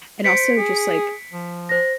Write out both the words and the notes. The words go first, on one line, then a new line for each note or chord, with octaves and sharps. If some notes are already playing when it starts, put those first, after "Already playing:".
And also just like,
C5 B6 C#7 D7
G#4
F3
C5 A#6